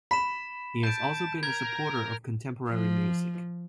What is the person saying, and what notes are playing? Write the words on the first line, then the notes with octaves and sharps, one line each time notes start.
He has also been a supporter of contemporary music.
B5 B6 E7
A5 G6 D7
A#4 G#6
F3